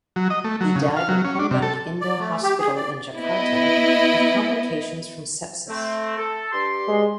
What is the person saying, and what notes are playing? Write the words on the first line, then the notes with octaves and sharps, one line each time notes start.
He died in Pondok Indah Hospital in Jakarta of complications from sepsis.
F#3
D#5
A3
F#3
C#3
F5
F#3
C#4
D4
C3
A4
D5
A3
G4
G#4
D5
B3 E4 D#5
A3 C4
A4
G2 G4 C6
G#3